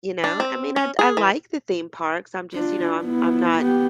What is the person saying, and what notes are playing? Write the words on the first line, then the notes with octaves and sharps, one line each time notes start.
You know? I mean, I'd I like the theme parks. I'm just, you know I'm I'm not
D4
C4
C#4
G#4
E3
D4 F4
B3 E4
B3 G4